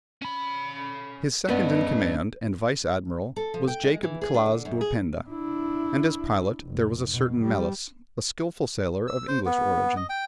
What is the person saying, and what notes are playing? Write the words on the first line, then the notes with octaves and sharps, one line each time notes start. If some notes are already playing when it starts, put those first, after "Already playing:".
His second in command and vice-admiral was Jacob Claaz d'Ulpenda, and as pilot there was a certain Melis, a skilful sailor of English origin.
C#4 B5
G2 B3 C#4 D#5
A4
F3
G5
G#3
E3
G#4
D4
D3
F#2
G#4
D4 E4
F1
B2
G3
E6
C5
B3
D#5
G5